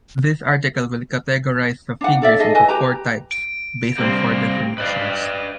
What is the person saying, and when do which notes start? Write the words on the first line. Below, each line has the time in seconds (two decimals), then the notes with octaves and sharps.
This article will categorize the figures into four types, based on four definitions.
2.01 D4 D#4 F#5
2.22 A4 D5 E5
2.39 D#4 G#4 A4 D#5
2.55 E4 B4 D#5 G#5
2.68 G4 B4 A#5
3.31 D7
3.98 C3 G3 A#3 C4
4.78 B4 D5 D#5 F5